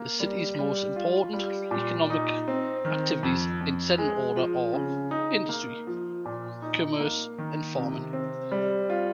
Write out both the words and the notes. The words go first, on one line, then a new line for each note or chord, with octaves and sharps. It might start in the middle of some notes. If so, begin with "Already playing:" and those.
The city's most important economic activities, in descending order, are industry, commerce and farming.
Already playing: A#3
G3
G3
F4
G3
A#2
D#4
C4
D#3
F2
F2
G#3
F3
C#3
D#4
A#3
F3
A#2
D#4
A#3
D#3
C3
C4
G3
F4